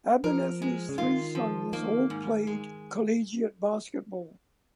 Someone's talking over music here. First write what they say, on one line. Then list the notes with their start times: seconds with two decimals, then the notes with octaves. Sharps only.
Abernethy's three sons all played collegiate basketball.
0.24 F3 A#4
0.62 G#3
0.89 C#3
0.98 D#3 F4
1.35 F3
1.72 D#3 A#3
2.10 G#2
2.47 G#3